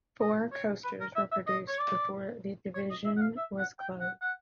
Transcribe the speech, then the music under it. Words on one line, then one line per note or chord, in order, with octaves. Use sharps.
Four coasters were produced before that division was closed.
D#5
C#5
B4
A#4
E5
E5
D#5
C#5
D5
C#5
D#5
E5
F#5
F5
E5
F#5
G5
F#5
F#5